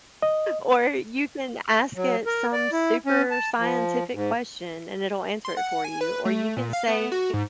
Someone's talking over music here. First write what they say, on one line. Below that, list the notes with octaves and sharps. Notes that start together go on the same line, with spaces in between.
Or you can ask it some super scientific question, and it'll answer it for you, or you can say,
D#5
F#3
A#4
D5
E4
C#4
A5
F3
G#2
C6
F#5
G#5
B4
A3
A#2
F5
B3
F#4
G#2